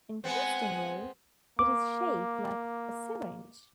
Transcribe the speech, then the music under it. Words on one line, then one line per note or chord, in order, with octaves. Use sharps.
Interestingly, it is shaped like a syringe.
G#3 B3 C4 F#5 G#5
A#3 D6